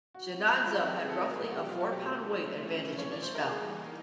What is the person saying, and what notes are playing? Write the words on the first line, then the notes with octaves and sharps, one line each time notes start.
Jannazzo had roughly a four-pound weight advantage in each bout.
D#3 G3 C4 E4 F#4
F4
F#4
G4
G#4
B2 F#3 A3 A4
A#4
G#4
G#4
F#4
G4
F4
F#4
G4
D3 F3 A3 C#4 E4
E3 G3 A#3 D#4 C#5
D5
C5
A#4
G#4